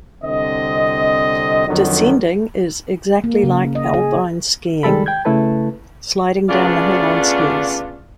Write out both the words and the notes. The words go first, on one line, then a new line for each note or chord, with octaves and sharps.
Descending is exactly like alpine skiing: sliding down the hill on skis.
C2 D3 C4 D#5
F2 D3 D#3 F#3 B3
A#3
C#3
D#5
G#4
D#3 G3 G#3 A4 B5
G5 G6 G#6
C#3 A3 E4 A4 B4 A5
C#3 A3 B3 D4 F4 D5